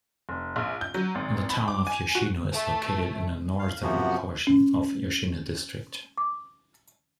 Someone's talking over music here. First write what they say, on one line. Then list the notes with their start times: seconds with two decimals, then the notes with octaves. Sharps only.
The town of Yoshino is located in the northern portion of Yoshino District.
0.29 F1
0.56 A#1
0.81 G6
0.94 F#3
1.15 G#1
1.50 B5
1.68 D6
1.87 G#5
2.15 F#4
2.53 A3
3.59 F5
3.82 F#2 C3 F3 B3 F#4
4.47 C#4
6.18 D6